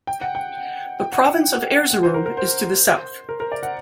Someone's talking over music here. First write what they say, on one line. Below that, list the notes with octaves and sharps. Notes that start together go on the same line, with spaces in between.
The province of Erzurum is to the south.
G5
F#5
G5
G5
F#5
G5
F#5
C5
A#4
A#4
C5
A#4
A#4
D5
F#5